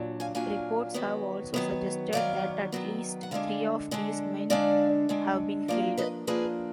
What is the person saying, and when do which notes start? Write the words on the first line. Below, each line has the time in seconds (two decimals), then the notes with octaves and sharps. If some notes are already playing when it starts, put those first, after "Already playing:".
Reports have also suggested that at least three of these men have been killed.
Already playing: A#2 F#3 D4
0.20 F5 G#5
0.35 A#2 F#3 D4 F5 G#5
0.94 D#3 F#3 B3
1.54 D#3 F#3 B3
2.13 D#3 F#3 B3 D5 F5
2.72 D#3 F#3 B3
3.23 F#5
3.31 D3 G#3 D4 F5 G#5
3.91 D3 G#3 D4
4.50 D3 G#3 D4 D5 F5
5.09 D3 G#3 D4
5.68 F3 A#3 D4 D5 F5
5.98 B4 D#5
6.27 F3 A#3 D4 G#4 B4